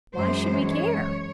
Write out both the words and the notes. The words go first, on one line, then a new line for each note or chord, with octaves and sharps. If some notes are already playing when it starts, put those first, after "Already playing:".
Why should we care?
F#2 E3 G#3 C5
C#5